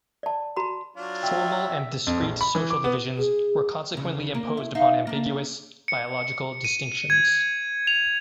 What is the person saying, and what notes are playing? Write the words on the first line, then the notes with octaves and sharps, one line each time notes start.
Formal and discrete social divisions were consequently imposed upon ambiguous biological distinctions.
D5 A5
F#4 A#5 B5
F#3 D4 F4
E5 G5
F2
A#1
B5
E3
D6
B3
G#4
E2 C#3
A#3
E4
D#4 E5 F5
A#3 D4
C#7
D#7
G#6
F7